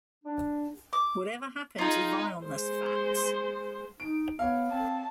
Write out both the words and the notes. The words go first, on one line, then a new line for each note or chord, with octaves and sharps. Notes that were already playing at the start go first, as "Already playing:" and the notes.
Whatever Happened to Vileness Fats?
D4
D6
D#4 F4 G#4
G#3 C5
D#4 D7
B3 C#5 F5
C4 A5